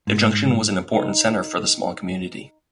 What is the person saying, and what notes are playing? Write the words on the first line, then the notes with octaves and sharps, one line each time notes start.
The junction was an important centre for the small community.
G#2
D#4